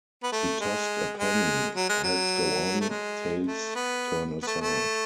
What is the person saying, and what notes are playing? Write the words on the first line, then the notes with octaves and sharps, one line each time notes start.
He tossed a penny — heads go on, tails turn aside.
B3
A3
G#3
G#3
F#3
G#3
F#3
A3
G#3
A3
B3
B3
A3
A3